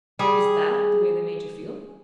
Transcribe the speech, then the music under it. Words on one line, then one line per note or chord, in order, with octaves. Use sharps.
"Is THAT the way they made you feel?"
G3 G#4